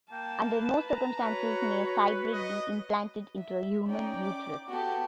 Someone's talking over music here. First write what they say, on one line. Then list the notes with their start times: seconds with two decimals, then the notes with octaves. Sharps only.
Under no circumstances may a cybrid be implanted into a human uterus.
0.12 A#3 G5 A5
0.51 B4
0.90 A#5
1.20 F#4 B4 C#5
2.32 D#5
3.37 E5
3.87 C#4 D#4 D5 G5
4.25 D6
4.68 B3 F#4 G4 A4